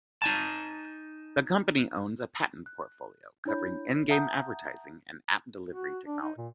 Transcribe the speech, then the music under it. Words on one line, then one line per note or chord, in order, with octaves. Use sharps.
The company owns a patent portfolio covering in-game advertising and app delivery technologies.
D#4 G#5 A5
F#6
D4 E4 C#5 B5 G6
E5 F#5 A5 A#5 D#6 G6
F#4
D4
D#4
A#2